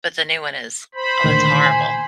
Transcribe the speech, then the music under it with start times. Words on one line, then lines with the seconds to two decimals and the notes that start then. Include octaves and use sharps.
But the new one is Oh, it's horrible.
0.95 C5 B5
1.24 D2 A#2 D#3
1.66 G#5